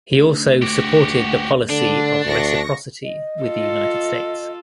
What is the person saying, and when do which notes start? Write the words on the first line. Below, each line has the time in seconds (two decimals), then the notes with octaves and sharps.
He also supported the policy of reciprocity with the United States.
0.12 D2
0.62 F#4 G4
1.70 D3 D4
2.25 D2 C#6 A#6
3.03 D#5
3.43 F4 A4